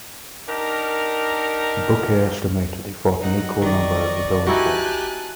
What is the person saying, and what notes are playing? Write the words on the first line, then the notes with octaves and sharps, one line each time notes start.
Bouquet estimated he fought an equal number as his own force.
D4 D#4 G4 A#4
G#2 C#3 F#3 D#4 F#5
D#3 D5 D#5 C#6
D#4 E4 F#4 G4 G#5 A5 F#6